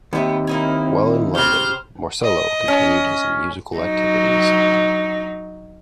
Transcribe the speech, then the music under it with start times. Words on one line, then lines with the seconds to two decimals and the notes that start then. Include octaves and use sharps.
While in London, Morsello continued his musical activities.
0.13 D#2 B3 C4 G4 E5
0.47 A#3 D#4 E4
1.35 C#3 G4 C5 F6 G6
2.23 D#5
2.68 C#4
3.77 F#3 D#4